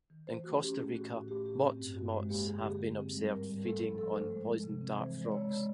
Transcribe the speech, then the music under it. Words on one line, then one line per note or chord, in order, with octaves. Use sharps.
In Costa Rica, motmots have been observed feeding on poison dart frogs.
D#3
E3 C5
A3 F#4
C#4 G4
A3 G#4
A2 F#4
A2
A3 G4
A2 G4
C4
G2
G2 F#4
G#3
A#3 G4
D3 G#4
D3 G4
G#4
D3
C4
G3
G#2 A#4
G3
A3 A4
F3
F3 A4
A3 C5
G#3
F3
C3
C4
E3 C5
G#3
D5
G#3 C#5
G#3 C#5